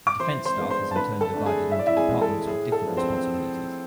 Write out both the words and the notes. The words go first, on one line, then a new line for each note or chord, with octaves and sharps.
The Defence Staff is in turn divided into departments with different responsibilities.
D6
E3 C5 C6
C5 C6
G#3 B3 D4
C5 C6
A5
D3 B4 B5
A4 A5
A3 D4
G#4 G#5
A2 E5
D5
E4 E5
G#4 G#5
E3 G#3
A4
A2 G#4
A4
F3 B3 D4
C4 C5